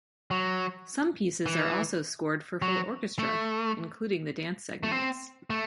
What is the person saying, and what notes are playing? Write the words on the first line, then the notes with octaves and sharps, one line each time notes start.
Some pieces are also scored for full orchestra, including the dance segments.
F#3
E3
F#3
A3
A3
C4
A3